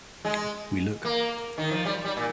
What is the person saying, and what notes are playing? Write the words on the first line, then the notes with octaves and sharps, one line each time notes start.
We look.
G#3
A#3
D#3
F3
G3
G3
A#2